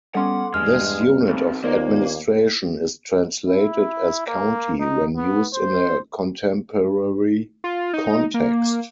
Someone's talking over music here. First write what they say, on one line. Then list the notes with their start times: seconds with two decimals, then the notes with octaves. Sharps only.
This unit of administration is translated as "county" when used in a contemporary context.
0.15 G3 B3 C#4 A4 F#5 C6 D6
0.54 E2 G2 G#3 F6
1.27 B1 C4
1.64 D#2 A#3 B3 D#4 F4 A#4 C5 D5
3.48 E4
4.28 A#3
4.80 D#4
5.16 B3
5.54 C5
7.64 F4
7.93 D#4
8.34 A#3